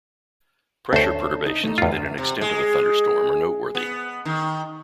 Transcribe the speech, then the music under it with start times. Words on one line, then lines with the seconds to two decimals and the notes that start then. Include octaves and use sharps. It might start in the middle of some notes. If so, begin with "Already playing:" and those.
Pressure perturbations within an extent of a thunderstorm are noteworthy.
0.93 D2 D4 A4 C5 C#5
1.46 D#4
1.63 A3 D#4
1.78 E2 F4
2.18 C3
2.41 G#3
3.75 B3
4.25 D#3